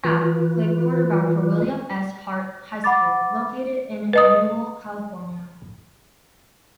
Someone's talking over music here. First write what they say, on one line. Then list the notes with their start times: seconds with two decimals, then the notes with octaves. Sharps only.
Kapp played quarterback for William S. Hart High School, located in Newhall, California.
0.04 E3 F4 B4
2.84 F#5 B5 D6 A6
4.13 B4 D#5 D#6